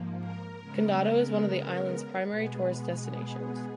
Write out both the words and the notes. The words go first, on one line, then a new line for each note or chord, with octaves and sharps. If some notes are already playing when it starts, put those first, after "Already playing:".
Condado is one of the island's primary tourist destinations.
Already playing: G#2 F3 A#3
A#4
C#3 G#3 B3
B2 G#3 B3 G#4
G#4